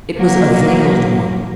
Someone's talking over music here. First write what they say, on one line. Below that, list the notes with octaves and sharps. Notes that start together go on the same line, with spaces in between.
It was a veiled one.
F#3 A#3